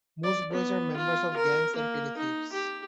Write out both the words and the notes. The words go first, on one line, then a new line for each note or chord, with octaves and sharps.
Most boys were members of gangs and petty thieves.
D5
B3
F4
A#4
A#3
D#4
G4